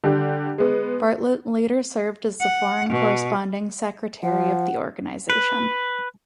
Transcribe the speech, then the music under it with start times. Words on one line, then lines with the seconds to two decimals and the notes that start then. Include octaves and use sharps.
Bartlett later served as the Foreign Corresponding Secretary of the organization.
0.04 D3 G3 G4
0.58 G#3 B3
2.40 F#5
2.88 B2
4.23 F3 F#5
5.30 B4